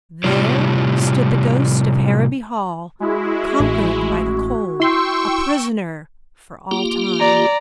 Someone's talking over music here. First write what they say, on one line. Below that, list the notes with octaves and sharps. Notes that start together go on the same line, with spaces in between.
There stood the ghost of Harrowby Hall, conquered by the cold, a prisoner for all time.
A2 C3 G3 F4 C#5
G#3 E4 F#4
A1
E4 G5 C6 C#6 E6
A#3 F4 G4
D5 A#5